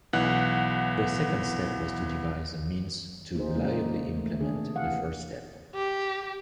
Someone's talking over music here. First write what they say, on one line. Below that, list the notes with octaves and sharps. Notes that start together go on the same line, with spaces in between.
The second step was to devise a means to reliably implement the first step.
B1 E3 F#5 F#6
A#3 D#4 G#4 C5
C#3 G#3 A#3
A3
D#3 D4 G#4
C3
E3 A#3 F5 F#5
G4